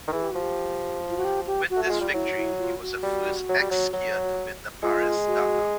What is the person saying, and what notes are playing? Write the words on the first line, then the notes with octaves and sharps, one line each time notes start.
With this victory, he was the first ex-skier to win the Paris-Dakar.
D#3
E3 G#4
G4
F3 F#4
G4
F4
F#4
G4
G4
F#4
A3
F#4
G#3 F4
G3
F#3 E4
E4
F4
F#4
G3
F#3
G3
F#3
F#3
G#3 F4
F#4